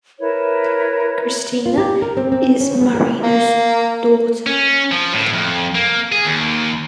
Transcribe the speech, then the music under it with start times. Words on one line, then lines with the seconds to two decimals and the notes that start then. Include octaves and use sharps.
Cristina is Mariano's daughter, a widower.
0.20 E4 A#4 B4 C#5
1.66 F4
1.78 G4
2.02 A#4
2.17 C4
2.32 C4
2.60 C#4
2.81 B3
2.95 A#4
3.23 A#3
4.46 C#4
4.91 F3
5.13 A2
5.34 F2
5.75 A#3
6.12 G#4
6.25 D#2